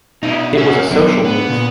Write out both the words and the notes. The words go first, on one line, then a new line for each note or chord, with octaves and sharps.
It was a social move.
B2 D#4 E4
C#4 F#4 E5 F#5
D3 F#3 B3
B3
A#2